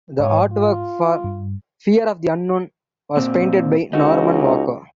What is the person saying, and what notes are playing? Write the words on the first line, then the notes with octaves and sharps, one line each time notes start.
The artwork for "Fear of the Unknown" was painted by Norman Walker.
G#2 C#5
F4
G2
A#2 C4
C#2 D#4 F#4